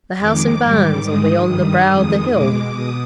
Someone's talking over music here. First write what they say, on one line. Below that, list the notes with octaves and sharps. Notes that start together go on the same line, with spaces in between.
The house and barns'll be on the brow of the hill.
F2 D#3 G#3 D6
G#2 D#3 G3 D6
G#2 D#3 G#3 D#6
G2 D#3 G3 D#6
F2 D#3 G#3 D#6
B2 G#3 D6
B2 D#6